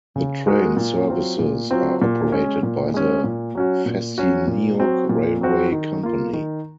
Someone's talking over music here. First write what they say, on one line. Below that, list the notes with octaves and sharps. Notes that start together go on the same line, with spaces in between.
The train services are operated by the Festiniog Railway Company.
C#3
G#3 D#4 F#4 A#4
A#2
F#3 C4 F4
A#2
F#3 C4 F4
A#2
G#3 C#4
A#2
G#3 C#4
A#2
F#3 C#4 F#4
A#2
F#3 C#4 F#4
A#2
F#3 C4 F#4
A#2
F#3 C4 F#4
D#3
A#3 F4
D#3